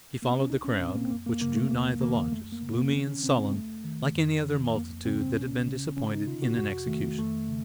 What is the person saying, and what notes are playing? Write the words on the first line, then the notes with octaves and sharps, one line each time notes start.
He followed the crowd, which drew nigh the lodges, gloomy and sullen, like any other multitude that had been disappointed in an execution.
A#3
C4
C#4
C2 D#4
C#4
A#2 C4
A#3
C4
F#2 A#3
A#3
C#3 A#3
A3
D#2 A#3
D#3 A#3
F#2 A3
A#3
C#3
A#3
D#3 C4
C#4
C3 C4
C4
F2 A3
D#3
F2
D#3
F2 A#3
C#3 C4
C4
C#2 C#4
C#3
D#3 C#4
D#4
C3 F4
F#4
F2 F#4
D#3 A3
F2 A3
C#3